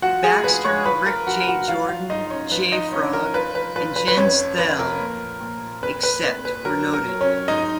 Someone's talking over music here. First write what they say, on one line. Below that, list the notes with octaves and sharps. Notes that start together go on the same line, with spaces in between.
Baxxter, Rick J. Jordan, Jay Frog, and Jens Thele, except where noted.
F3 F#4 F#5
G#4 G#5
F3 B4 B5
C#5 C#6
F3 B4 B5
A#4 A#5
F3 F#4 F#5
F#4 F#5
F#3 F4 F5
F4 F5
G#2 D#4 D#5
C#4 C#5
F3 B4
D#4 D#5
F3 C#4 C#5
A#4
F3 B4
B4
F3 B4
B4
B4
F2 C#4 C#5
F3 B4
A#4
A#2
A#2
F2 B4
B4
F2 B4
B4
F#3 A#4
A#4
F#3
C#4 C#5
G#2 D#4 D#5